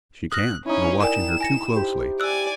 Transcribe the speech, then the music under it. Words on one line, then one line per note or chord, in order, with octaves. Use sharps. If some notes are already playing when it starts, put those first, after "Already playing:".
"She can't--we're watching her too closely."
D#6 F6 F#6 A#6
C#4 D#4 E4
A#4 D5 G5 G#5 E7
G#5 A#6 C#7
G4 C5
D5 G#5 E6 F#6